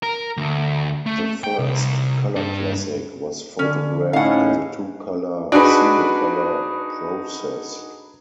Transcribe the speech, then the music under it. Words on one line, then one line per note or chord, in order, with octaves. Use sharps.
The first "Color Classic" was photographed in the two-color Cinecolor process.
A#4
D2
A3
G5
C2
G2 D4
D3 C#4
A2 C#4 D#4 F5 F#5
D4 D#4 F#4 G#4 B4